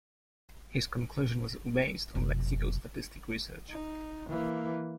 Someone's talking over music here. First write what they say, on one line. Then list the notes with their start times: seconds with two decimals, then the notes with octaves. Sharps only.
His conclusion was based on lexicostatistic research.
2.15 F1 B2
3.70 D#4
4.29 E3 A#3